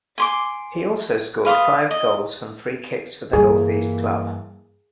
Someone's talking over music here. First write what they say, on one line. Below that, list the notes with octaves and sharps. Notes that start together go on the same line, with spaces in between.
He also scored five goals from free-kicks for the north-east club.
G#5 C6 D6
B4 F5 C6 D#6
D#5
G2 E3 G3 A#3 G#4